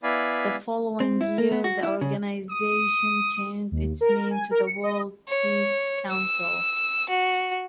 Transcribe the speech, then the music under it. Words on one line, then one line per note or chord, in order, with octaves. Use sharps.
The following year the organisation changed its name to the World Peace Council.
B3 E4 D5 F5 G#5 B5
C4
E4
A#3
B3
F#4
E4
C#3
D#6
D#2
A#4
G#5
A#4
C#7
D#5
C#5
E6
F#4